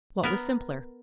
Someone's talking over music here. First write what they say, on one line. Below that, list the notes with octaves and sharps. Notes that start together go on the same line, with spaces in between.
What was simpler?
B3 A#4